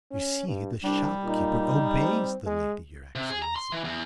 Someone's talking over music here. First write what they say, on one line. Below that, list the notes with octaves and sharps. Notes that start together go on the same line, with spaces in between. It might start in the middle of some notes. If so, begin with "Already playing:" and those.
"You see, the shopkeeper obeys the lady, your Excellency."
C#4
G2
C2 G3 D4
A#2 D#4
C4
G#3
C3
G#4
A#5
C6
E3
E2